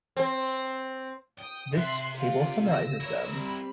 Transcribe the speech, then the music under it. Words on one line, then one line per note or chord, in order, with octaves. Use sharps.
This table summarises them.
C4
G5 D#6
C3 E5 C6 F#6
F4 G4 D5
E6 A#6
E4 A#4 C#5
G3 C4 B5